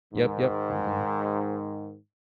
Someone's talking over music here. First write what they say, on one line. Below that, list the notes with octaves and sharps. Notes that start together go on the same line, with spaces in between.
Yep, yep. Have a good one.
G#2 D#3